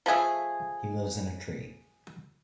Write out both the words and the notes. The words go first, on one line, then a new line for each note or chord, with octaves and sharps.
He lives in a tree.
F3 A3 G#4 E5